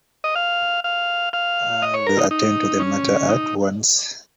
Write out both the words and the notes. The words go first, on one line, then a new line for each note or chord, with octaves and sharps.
I will attend to the matter at once.
D#5
F5
F5
F5
D#5
C#5
A#4
D#4
D#4
C#4
D#4